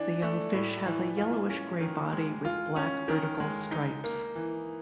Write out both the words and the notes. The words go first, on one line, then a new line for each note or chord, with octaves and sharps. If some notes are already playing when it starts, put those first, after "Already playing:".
The young fish has a yellowish gray body with black vertical stripes.
Already playing: E3 D4
A3
A2
E3
F4
C#4
D#3
G#3
F4
C#4
D#3
G#3
D#4
A#3
E3